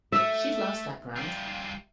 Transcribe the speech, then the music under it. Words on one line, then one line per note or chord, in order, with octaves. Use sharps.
She loves that ground.
A3 E5
G3 F4